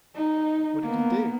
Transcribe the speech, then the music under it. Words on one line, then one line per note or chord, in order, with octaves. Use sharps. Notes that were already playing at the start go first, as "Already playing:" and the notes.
What did he do?
D#4
A#3 B3